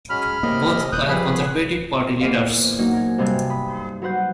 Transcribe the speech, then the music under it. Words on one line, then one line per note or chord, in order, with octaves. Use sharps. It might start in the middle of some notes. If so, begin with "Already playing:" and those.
Both were Conservative Party leaders.
F#3 G#3 C#4 B5 F6
A2 C3 A#3 D#5
D#1 D#6 F#6 G6
C3 F3 G3 G#4 B4 B5
B3 C6
E2 A#2 C5 D#5 F5
F#3 A#3 D#4
A#4 G#5
G2 C3 C4 D#5 G#5 A5
B5 D#6
F#3 B4 C5 F#5 G6